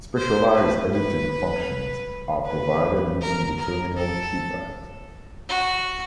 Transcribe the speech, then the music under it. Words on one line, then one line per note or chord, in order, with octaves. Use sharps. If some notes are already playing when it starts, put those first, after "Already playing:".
Specialized editing functions are provided using the terminal keypad.
C5
B4
B4
B4
A#4
A#4
A4
F#4